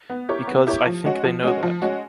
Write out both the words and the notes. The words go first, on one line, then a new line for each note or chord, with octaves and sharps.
Because I think they know that.
B3
E4 G4 A#4 C#5
B3
E4 G4 A#4 C#5
F3
G#3 C#4 F#4
F3
G#3 C#4 F#4
F3
G#3 C#4 F#4